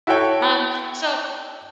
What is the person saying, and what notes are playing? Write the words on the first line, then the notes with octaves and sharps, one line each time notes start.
um, so
E4 F#4 A4 C#5 G5